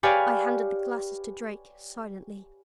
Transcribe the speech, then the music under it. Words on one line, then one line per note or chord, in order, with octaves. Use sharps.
I handed the glasses to Drake, silently.
G4 B4 C#5 D5 F5 G#5